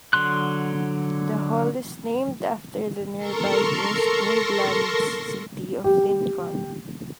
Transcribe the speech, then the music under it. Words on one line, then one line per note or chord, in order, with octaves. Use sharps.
The hall is named after the nearby East Midlands city of Lincoln.
D3 F#3 C6 F#6
A4 A#4 A#5 C6 C#6
G4